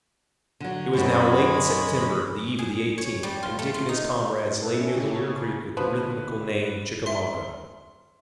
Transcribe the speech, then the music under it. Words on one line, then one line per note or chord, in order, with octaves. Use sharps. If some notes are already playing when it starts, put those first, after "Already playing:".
It was now late in September, the eve of the eighteenth, and Dick and his comrades lay near the little creek with the rhythmical name, Chickamauga.
D3 F#3
F#2 G#3 C4 C#5 B5
G#4
C#5
G3
F4
A3
F4
D#4
A4 B4
C#4 E5
C#3 G4
A4 C#5
G#2 B2 D3 F3 B4
E5 C6